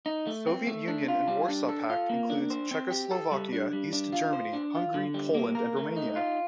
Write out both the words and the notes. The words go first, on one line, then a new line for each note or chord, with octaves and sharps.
"Soviet Union and Warsaw Pact" includes Czechoslovakia, East Germany, Hungary, Poland, and Romania.
D#4
A3
C4
A3
D4
F4
G3
D4
A4
F4
A#3
D4
C5
C4
G4
A4
G3
D4
G3
D4
F4
C5
D4
F4
D3
G3
A#3
A#4
A3
D#4
F4